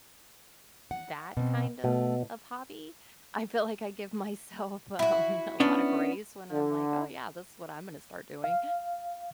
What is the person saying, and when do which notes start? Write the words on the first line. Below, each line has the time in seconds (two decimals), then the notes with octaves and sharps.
that kind of of hobby. I feel like I give myself, um, a lotta grace when I'm like, "Oh, yeah, this is what I'm gonna start doing."
0.91 F#5
1.37 B2 C4
1.84 B2 A3
4.99 E4 F#4
5.60 B3 C#4 D4
6.52 D3
8.44 F5